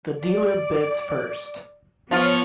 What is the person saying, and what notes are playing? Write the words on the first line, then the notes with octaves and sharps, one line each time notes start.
The dealer bids first.
D5
F3 B3 F4 C#5